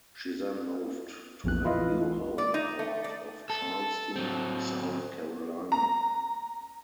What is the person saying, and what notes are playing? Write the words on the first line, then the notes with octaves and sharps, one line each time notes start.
She then moved to her new home port of Charleston, South Carolina.
A#1 E2 F#6
E3 E4 F4 D#5
D5
D#4
A3
D5
A4
F#3 C4
A#5